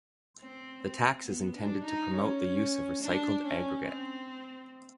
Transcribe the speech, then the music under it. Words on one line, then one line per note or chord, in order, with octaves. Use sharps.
The tax is intended to promote the use of recycled aggregate.
C4
C4
B3
D4
D#4
C#4
D4
C#4
C4